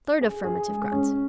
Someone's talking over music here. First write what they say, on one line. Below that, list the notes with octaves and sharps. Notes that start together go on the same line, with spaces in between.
Third affirmative grunt.
G#4
G#4
G#3
C#4